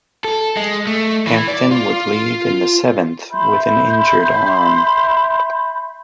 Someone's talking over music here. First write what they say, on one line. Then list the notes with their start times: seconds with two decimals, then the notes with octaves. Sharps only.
Hampton would leave in the seventh with an injured arm.
0.25 A4
0.57 G#3
0.87 A3
1.27 E3
1.48 D5
1.71 F4
3.32 E5 B5 C6 G6